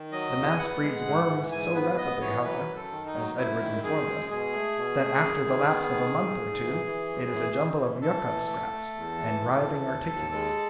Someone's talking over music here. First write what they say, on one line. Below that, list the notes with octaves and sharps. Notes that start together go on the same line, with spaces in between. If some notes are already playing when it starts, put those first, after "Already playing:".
The mass breeds worms so rapidly, however, as Edwards informed us, that after the lapse of a month or two it is a jumble of yuca scraps and writhing articulates.
Already playing: D#3
F#3 D#5
E2
G#5
B3 F#5
G#3
G#2
E3
G#2 G#5
B3 B4
B3 D#5
E3 C#5
F#3 B4
F#2
A4
D#3
D#4
F#3
F#2 E4
D#3
F#2 G#4
G#3
B2 G#4
A3
B2
A3
F#2
D#3
B3
D#3
G#2
G#2
E3
E3
F#2
E3
F#2
E3
E3 A4
E3
A3
A3
E2
E3
E2
E3
D#2
D#2
G#3